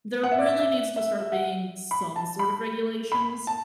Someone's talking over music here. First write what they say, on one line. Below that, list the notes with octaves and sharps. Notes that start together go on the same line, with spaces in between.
there really needs to start being some sort of regulations
F#5
E5
D5
E5
E5
E5
E5
F#5
B5
A5
B5
B5
A5